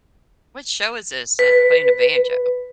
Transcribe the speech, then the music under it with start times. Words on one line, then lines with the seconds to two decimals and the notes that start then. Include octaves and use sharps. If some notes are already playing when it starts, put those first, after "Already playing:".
Which show is this that's playing a banjo?
1.39 B4